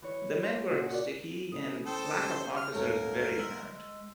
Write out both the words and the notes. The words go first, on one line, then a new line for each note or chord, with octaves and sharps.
The men were sticky and lack of officers very apparent.
E3 C#5
F3
A#2 C#3 F#4 D#5 F#6
F#4 A#4 D5
A2 C#3 D#6
A4 C5 G5
C#3 G4
F6
D#1 G#2 A3 A#4 C#5
G#3 E6 B6 F#7